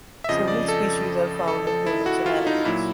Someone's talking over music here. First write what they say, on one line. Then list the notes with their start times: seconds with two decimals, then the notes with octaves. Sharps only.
Several species are found in humans and animals.
0.24 E5
0.29 F2 C#3 F3 D#5
0.48 D5
0.68 A4
1.48 A4
1.67 A4
1.86 E4
2.06 F#4
2.26 F4
2.47 D#4
2.65 A#2 F#3 E4